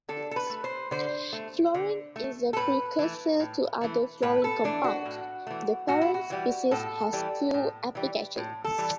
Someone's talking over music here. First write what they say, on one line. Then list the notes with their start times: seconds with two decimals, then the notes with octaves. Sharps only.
Fluorene is a precursor to other fluorene compounds; the parent species has few applications.
0.09 D3 A4
0.31 A4
0.36 B4
0.50 A3
0.64 C5
0.91 D3 C5
1.33 A3
1.74 D3
2.16 A3
2.53 A4
2.57 A2 B4
2.99 E3 A3
3.40 A2
3.81 E3 A3
4.22 A2 B4
4.44 A4
4.64 E3 A3 D4
4.84 F#4
5.05 A2
5.47 E3 A3
5.88 A2 F#4
6.01 E4
6.14 F#4
6.30 E3 G3
6.71 A2 A4
7.13 E3 G3
7.54 A2
7.95 E3 G3
8.37 A2
8.64 A4
8.78 E3 G3